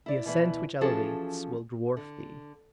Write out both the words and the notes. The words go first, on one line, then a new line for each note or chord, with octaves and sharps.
The ascent which elevates will dwarf thee.
E4 D5
B2 E3 B3
E3 F3 C#4 F#4 G#4 A4
D3